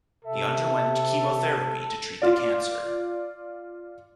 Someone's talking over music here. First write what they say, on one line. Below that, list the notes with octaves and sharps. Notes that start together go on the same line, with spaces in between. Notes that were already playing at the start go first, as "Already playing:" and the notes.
He underwent chemotherapy to treat the cancer.
C3 A4 E5
F4 D5